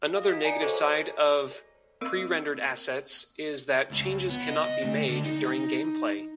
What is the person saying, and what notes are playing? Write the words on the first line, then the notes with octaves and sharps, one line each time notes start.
Another negative side of pre-rendered assets is that changes cannot be made during gameplay.
F5 D#6
D#5 B6
A#4 D5 G#5 A#5
F#4 G#4 A4 C5 C#5 D#5
A#6
A#3 C4 A#4 E6
C#2
B3
D#5
D3 A3
D3
D#4